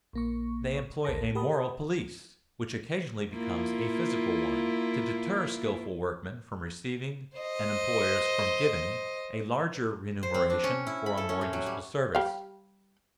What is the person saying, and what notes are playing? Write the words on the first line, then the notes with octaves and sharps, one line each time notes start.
And they employ a moral police, which occasionally becomes a physical one, to deter skilful workmen from receiving, and employers from giving, a larger remuneration for a more useful service.
A#1 A#3 C#6
A#1 D#2 A4 A#4 A5 A#6
G4 A#4 F#5 A5 B5 D#6
A#3 E4 F4
C5 D#5
C5
C4
D4
C#4
E4
B5
A4
C#4
A2
F#3
G3
G3 F5